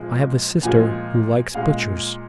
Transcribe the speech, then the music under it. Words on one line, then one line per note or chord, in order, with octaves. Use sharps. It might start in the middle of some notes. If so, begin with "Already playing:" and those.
I have a sister who likes butchers.
Already playing: A#2 F3 G#3
A#2 F3 G#3 G#5
A#2 G#3 F5